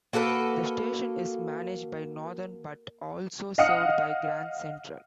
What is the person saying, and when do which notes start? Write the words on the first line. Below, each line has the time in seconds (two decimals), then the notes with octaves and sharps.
The station is managed by Northern but also served by Grand Central.
0.13 A#3 F#4 A4 B4
3.58 D#5 F5 F#5 D#6 F6 C#7